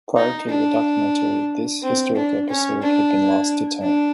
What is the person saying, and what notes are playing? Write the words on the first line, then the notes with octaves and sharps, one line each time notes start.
Prior to the documentary this historic episode had been lost to time.
D#4
D4
C4
D4
C#4
D4
D4